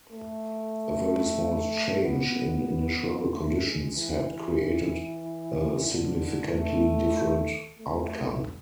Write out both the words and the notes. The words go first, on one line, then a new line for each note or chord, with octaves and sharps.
A very small change in initial conditions had created a significantly different outcome.
A3
B3
A3
G#3
E3
D3
A3
A3